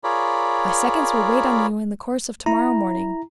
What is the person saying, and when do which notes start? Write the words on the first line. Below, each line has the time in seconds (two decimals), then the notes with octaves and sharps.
My seconds will wait on you in the course of to-morrow morning.
0.04 F4 G#4 A#4 C#5 D5 B5
2.46 E4 A#5